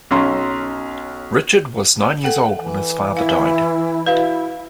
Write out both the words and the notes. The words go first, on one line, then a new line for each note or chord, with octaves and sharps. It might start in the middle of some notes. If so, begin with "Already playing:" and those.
Richard was nine years old when his father died.
B1 C#4 A#5 C6
A4 F#5 G5
E3
E4 F5
E4 F#4 B4 D5 F5